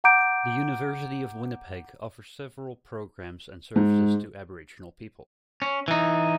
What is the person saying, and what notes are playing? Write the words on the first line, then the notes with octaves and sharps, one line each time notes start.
The University of Winnipeg offers several programs and services to Aboriginal people.
F#5 A#5 D6 G6 D7
G#2
C#4
E3 D#4